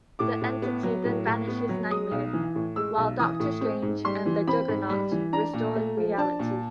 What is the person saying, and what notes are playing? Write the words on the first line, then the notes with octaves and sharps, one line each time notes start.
The entity then banishes Nightmare while Doctor Strange and the Juggernaut restore reality.
A2 D6
A2
B3
F#3
A2
A2
B3
F#3
G#3 D#6
B1
E3
A2
G#3 E6
B1
E3 D#6
A2
C4
G#2
G3 C6
E3
C4 B5
G#2
G3
E3
D4 A#5
A#2
A3
F3
D4 A5
A#2